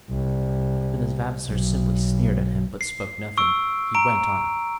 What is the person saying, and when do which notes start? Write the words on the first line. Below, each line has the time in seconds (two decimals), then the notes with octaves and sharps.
Then, as Vavasor simply sneered at him, but spoke nothing, he went on.
0.11 C2
1.47 B1
2.81 C7
3.38 C#6 E6 D7
3.95 A#5 D7